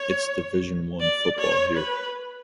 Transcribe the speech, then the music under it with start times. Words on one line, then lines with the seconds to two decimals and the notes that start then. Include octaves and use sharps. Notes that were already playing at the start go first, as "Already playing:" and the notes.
It's Division One football here.
Already playing: C#5
1.00 D5
1.39 C#5
1.77 B4